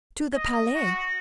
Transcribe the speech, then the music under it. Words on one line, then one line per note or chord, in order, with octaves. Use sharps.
"To the Palais."
D#5
F#4